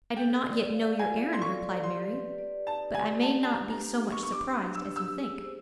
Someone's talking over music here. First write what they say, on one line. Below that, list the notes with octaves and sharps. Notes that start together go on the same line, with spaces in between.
"I do not yet know your errand," replied Mary; "but I may not be so much surprised as you think."
A4 G5
D5
F5
F4 G#5
A4
C6
C#6
D5
G4 C6
B4
D5
D#4 A5
G4 G#5
B4 A5
A5
D4 A#5
A#5
G4
B3
C#6
C#6
B3 D6
D4
E6
G4
E6
G#4
C5